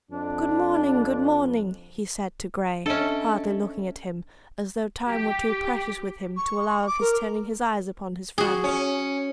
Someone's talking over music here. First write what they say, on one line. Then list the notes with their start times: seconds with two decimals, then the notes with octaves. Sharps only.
"Good morning! good morning!" he said to Grey, hardly looking at him, as though time were too precious with him to allow of his turning his eyes upon his friend.
0.11 F2 D4
2.86 C#4 D4 A4 D#5 E5
5.09 G4
6.37 C#6
6.87 D6
7.01 A#4
8.38 F#4 G#4
8.64 C#4